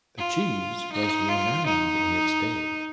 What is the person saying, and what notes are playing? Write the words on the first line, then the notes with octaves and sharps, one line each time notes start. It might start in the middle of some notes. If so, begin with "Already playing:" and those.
The cheese was renowned in its day.
F4
D#4
F4
D#4